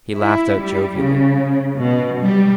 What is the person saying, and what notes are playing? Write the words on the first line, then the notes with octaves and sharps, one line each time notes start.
He laughed out jovially.
E4
G3
C#3
B2
G3